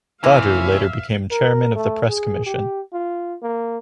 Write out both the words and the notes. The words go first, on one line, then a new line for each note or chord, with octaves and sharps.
Badu later became Chairman of the Press Commission.
C3 E3 A#3 C#4 E5 F5
A#4
A3
G#4
G4
F4
A#3